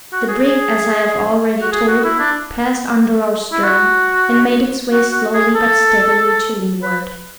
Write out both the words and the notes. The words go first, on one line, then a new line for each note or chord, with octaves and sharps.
The brig, as I have already told, passed under our stern, and made its way slowly but steadily to leeward.
F#4
G#4
G#4
F#4
G#4
F#4
E4
D4
E4
F#4
F#4
F#4
G#4
A4
B4